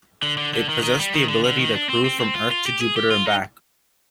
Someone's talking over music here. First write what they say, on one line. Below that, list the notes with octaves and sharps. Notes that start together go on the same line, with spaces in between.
It possesses the ability to cruise from Earth to Jupiter and back.
D3
D3
D3
D#3
D#3
G3
D#3
D3
D3
D#3
D4
C4
C4
C4
F4
F4
G4
G#4
G4
F4
D#4